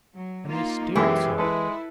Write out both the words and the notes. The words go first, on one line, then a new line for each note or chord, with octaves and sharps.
And they stared so!
F#3
A#3 D#4 F4
F#2 B2 E3 G#3 G4 G#4
G#3 E4 A4 B4